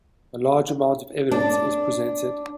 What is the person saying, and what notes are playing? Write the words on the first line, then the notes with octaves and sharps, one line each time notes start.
A large amount of "evidence" is presented.
D4